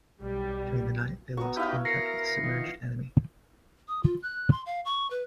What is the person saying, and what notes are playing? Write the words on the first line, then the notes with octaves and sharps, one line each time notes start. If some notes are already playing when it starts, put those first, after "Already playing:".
During the night, they lost contact with the submerged enemy.
B1 G3
B3 F#4 A#5 C#6
D#4 E4 G4 B4 F5
A#4 A#6 C7 C#7
D#3 F3
D#6
F4
F#6
C6
F5
C#6
B4